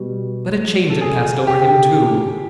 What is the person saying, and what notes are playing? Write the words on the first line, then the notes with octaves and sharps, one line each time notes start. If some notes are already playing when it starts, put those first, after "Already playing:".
But a change had passed over him, too.
Already playing: B2 G3
A4
G#4
G4